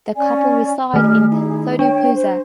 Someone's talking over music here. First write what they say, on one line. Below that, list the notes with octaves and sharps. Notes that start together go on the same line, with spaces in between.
The couple reside in Thodupuzha.
C#4 D5 G#5
D#3 A3 D#4 G#4 F6
D#4 E4 G#4
D4 C#5 G5
C5